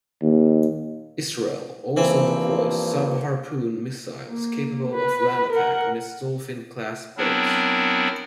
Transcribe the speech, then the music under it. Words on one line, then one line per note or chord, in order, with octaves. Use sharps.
Israel also deploys sub-Harpoon missiles capable of land attack on its Dolphin class boats.
D#2
G2 E3 F3 A#3 C4
A#3
B4
A#4 F#5
F#3 B3 C4 D4 E4 A#4